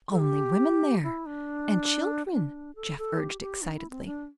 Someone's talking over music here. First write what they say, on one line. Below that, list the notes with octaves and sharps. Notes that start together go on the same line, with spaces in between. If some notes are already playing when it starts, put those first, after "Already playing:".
"Only women there--and children," Jeff urged excitedly.
A4
G4
E4
D4
D4
A4
A4
G4
G4
D4
E4
C4
D4